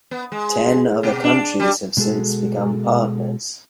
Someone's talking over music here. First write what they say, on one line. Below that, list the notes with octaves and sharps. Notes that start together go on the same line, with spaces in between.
Ten other countries have since become partners.
B3
G#3
B2
D4
G3
B2 G#3 F#4 G#4 A4